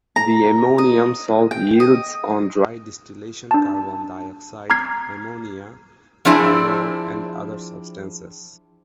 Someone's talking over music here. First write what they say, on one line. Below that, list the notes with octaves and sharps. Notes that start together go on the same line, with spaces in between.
The ammonium salt yields on dry distillation carbon dioxide, ammonia, pyrrol and other substances.
A#5
D#5
G5
D#5
D4 A5
A#5 D6 F6 G#6 C7
F3 C4 D4 E4 G#4 D5